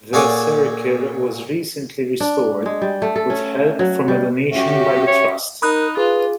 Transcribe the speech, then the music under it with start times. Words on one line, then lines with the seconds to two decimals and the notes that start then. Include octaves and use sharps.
The circle was recently restored with help from a donation by the trust.
0.13 A#2 G#4 A4 C#5 D5 F#5
2.20 D4
2.66 G#3
2.81 G3
3.02 A3
3.16 A4
3.30 C#4
3.79 F#3
4.08 G3
4.52 C#4 F#4 G4 E5
5.07 C#5
5.62 D#4 A#4 B5 D#6 F#6
5.97 F4 G#4 B4